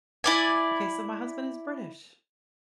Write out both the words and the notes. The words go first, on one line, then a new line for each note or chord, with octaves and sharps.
Okay, so my husband is British,
E4 D5 G#5